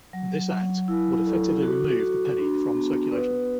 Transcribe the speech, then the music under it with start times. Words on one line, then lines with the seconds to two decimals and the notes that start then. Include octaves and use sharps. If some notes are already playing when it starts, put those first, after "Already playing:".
This act would effectively remove the penny from circulation.
0.13 F#3
0.51 F#3
0.88 E4
1.26 A4
1.62 F#4
2.00 F#4
2.38 D4
2.75 B3
3.12 B4